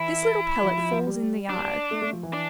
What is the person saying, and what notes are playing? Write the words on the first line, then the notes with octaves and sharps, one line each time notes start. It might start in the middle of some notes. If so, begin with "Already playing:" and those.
This little pellet falls in the yard.
Already playing: E3 E4
F3
F3
F3
G3
D4
A3
A3
F3
E3
D4